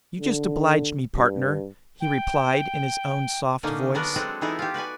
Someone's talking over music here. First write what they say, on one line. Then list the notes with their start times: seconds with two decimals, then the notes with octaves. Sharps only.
"You just oblige me, partner," he replied in his own soft voice.
0.19 D3
1.15 G2
2.00 G5
3.63 D3 A#3 C#4 D#4
3.95 F#3 B3 D4 F#4 G#4 A#4
4.16 F#3 G#3 C4 F#4 G#4 A4
4.41 E3 B3 D#4 E4 G#4 A4
4.59 F4 G4
4.74 F#4 B4 D5 G#5